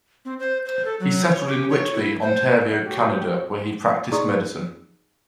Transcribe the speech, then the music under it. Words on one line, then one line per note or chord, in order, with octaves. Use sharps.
He settled in Whitby, Ontario, Canada, where he practiced medicine.
C4
C5
C5
A4
F#3
C#5
G4
C#5
E4
C5
F#4 G4 C#5
D#4 G#4 D5 C6 C#6 D#6